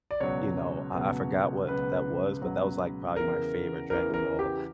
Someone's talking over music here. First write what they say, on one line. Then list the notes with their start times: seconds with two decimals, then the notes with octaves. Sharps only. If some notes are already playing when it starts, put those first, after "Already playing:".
you know, I I forgot what that was, but that was, like, probably my favorite Dragon Ball,
0.11 D5
0.20 C#2 B2 F#3 C#5
0.95 C#2 B2 F#3
1.68 C#2 B2 F#3 B4
2.42 C#2 B2 F#3
3.16 E2 C#3 E3 A#4
3.90 E2 C#3 E3 A#4
4.14 A#4
4.39 G4